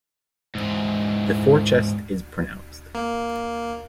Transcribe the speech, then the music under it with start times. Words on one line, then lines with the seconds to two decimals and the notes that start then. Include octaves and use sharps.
The forechest is pronounced.
0.55 G#2 E3
2.95 A#3